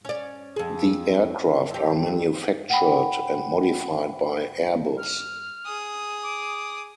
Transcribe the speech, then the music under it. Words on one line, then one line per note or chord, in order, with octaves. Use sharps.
The aircraft are manufactured and modified by Airbus.
C#4 D5
F2 G#4
F2 G4
F#5 G5 B5
F6
G#4 D#6
D6